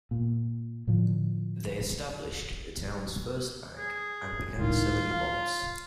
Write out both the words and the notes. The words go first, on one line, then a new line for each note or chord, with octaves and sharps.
They established the town's first bank and began selling lots.
A#2
A2 D3 F3
G#4
C#2 A2 D#3 F4
F5